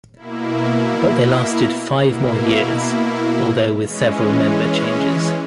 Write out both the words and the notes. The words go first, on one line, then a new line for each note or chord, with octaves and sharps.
But they lasted five more years, although with several member changes.
B2 A#3 E4
B2 A#3 E4
E3 G#3 C#4